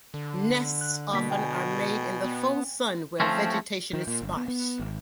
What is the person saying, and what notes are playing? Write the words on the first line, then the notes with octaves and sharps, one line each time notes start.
Nests often are made in the full sun where vegetation is sparse.
D3
F#6
B2 G3 A#3 B6
G5 G#5
B3
F3 A3 C4 C#4
D#3
A#2
G1
B3
B3
G#1